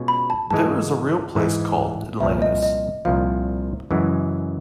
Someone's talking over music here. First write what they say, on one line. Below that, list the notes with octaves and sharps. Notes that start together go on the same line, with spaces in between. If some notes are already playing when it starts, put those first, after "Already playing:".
There is a real place called Atlantis.
Already playing: B2 G#3 C#4 F4
B5
A5
G#2 E3 G#3 A5
G#2 E3 G#3
C2 A#2 F3 E5
D#5
D#5
C2 A#2 F3 F5
F#2 C#3 E3 G#3